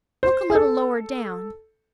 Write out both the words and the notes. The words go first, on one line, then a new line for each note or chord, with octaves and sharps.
"Look a little lower down."
C5
G#4
A4